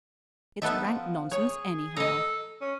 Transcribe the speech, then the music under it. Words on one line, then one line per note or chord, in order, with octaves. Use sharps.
It's rank nonsense, anyhow!
B3 D#4 A4 E5
F3
G#4 C#5
A4 D#5 A#5
C#4